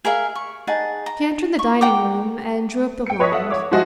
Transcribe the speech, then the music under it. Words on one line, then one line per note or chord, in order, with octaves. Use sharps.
She entered the dining-room and drew up the blind.
G#4 A#4 E5 F5
C#6
D#4 G#4 F#5 A5
A#5
C#6
F#5 G5 A#5 D6
G5 C#7
B4 C#5 D#5 C#6 D#6 B6
A4 E5 F#5
C#5 F#5 D6
F3 G#3 F#4 D#5 E5